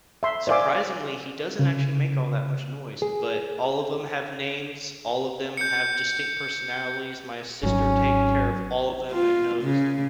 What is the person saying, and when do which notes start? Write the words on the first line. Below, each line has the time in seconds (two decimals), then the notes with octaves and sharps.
Surprisingly, he doesn't actually make all that much noise, but all of 'em have names, all of them have distinct personalities, my sister take care of all of them and knows
0.23 E5 C6
0.47 C5 D5 E5 F5 G#5 D6
1.59 C#3
3.02 G#4
5.57 G6 C#7
7.63 G#1 F#3 C#4
9.11 F4
9.62 C#3